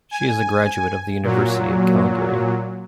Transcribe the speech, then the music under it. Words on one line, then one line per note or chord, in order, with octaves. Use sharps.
She is a graduate of the University of Calgary.
G#5
A#2 F#3